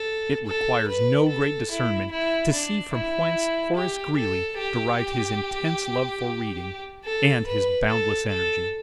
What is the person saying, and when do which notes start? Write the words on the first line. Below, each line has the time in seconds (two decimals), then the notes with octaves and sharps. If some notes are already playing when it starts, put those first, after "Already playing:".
It requires no great discernment to see from whence Horace Greeley derived his intense love for reading, and his boundless energy.
Already playing: A4
0.46 A4
0.88 B4
1.28 A4
1.70 E4
2.11 E4
2.52 D4
2.93 E4
3.76 G4
4.17 A4
4.58 G4
7.05 A4
7.47 B4
7.87 A4
8.29 A4